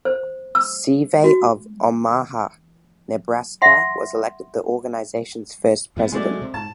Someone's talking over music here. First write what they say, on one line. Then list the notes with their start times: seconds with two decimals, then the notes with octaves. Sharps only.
Seavey of Omaha, Nebraska, was elected the organization's first president.
0.05 C5
0.55 E6
1.24 F#4
3.62 E5 F#5 C6
5.97 G2 F3 B3
6.12 C3 F#3 G#3 A3 D5
6.42 C3
6.54 G#2 A5